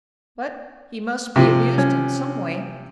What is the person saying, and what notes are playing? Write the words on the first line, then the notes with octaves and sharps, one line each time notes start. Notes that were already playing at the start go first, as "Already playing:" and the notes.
But he must be amused in some way.
C3 F3
C#4